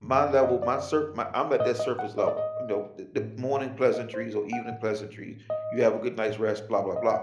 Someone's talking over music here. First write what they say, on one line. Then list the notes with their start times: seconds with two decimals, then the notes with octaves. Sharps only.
my level, my surf my I'm at that surface level, y'know, the the morning pleasantries or evening pleasantries, "You have a good night's rest" blah, blah blah,
0.04 F#2 D3
0.24 D5
0.42 D#5
0.62 D5
1.60 A2 D#5
1.80 D#5
1.99 F#5
2.18 D#5
2.27 D5
2.37 D#5
3.16 A2
3.94 D#5
4.14 C5
4.53 F#5
4.72 A2
5.50 D#5
6.29 A2
6.96 D#5
7.06 F#5